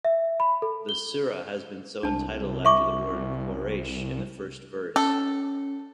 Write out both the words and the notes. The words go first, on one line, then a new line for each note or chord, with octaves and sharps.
The Surah has been so entitled after the word Quraish in the first verse.
E5
B5
A4
G7
C2 D4 A5
E5 C#6 D6
C#4 A4